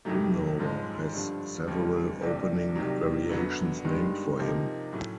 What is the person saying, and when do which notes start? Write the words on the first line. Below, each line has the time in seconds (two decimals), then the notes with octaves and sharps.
Winawer has several opening variations named for him.
0.05 F2 C3 D#3 F#3 A3
0.59 G#2 F3 G#3 C#4
1.13 G2 D3 F3
1.68 D#2 C#3 F3 G#3 C#4
2.22 C2 C3 E3 A3 D4
2.75 C2 C3 D#3 F#3
3.29 F#2 D3 F#3 B3
3.85 G2 D#3 G#3
4.38 C3 F3 A#3 D#4
4.93 A2 F#3 A3 C#4